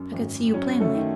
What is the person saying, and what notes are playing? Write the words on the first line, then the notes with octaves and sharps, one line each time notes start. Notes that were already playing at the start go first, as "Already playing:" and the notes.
I could see you plainly.
Already playing: F#2 C#4
G#1
F#3 C#4 C#5
A3 A4
D#3